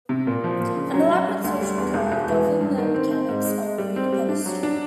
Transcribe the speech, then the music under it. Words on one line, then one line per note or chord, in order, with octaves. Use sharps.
An elaborate social code governed the mechanics of Greek pederasty.
C3
A#2
F3
A#2
C#3
F#3
F#3
G3
D2
G3
E2
E1
E1
E3
E3
G2
D#3
C4
C4
G#2
G#3
G#3
G3
C4
G3
D4
F#3
D4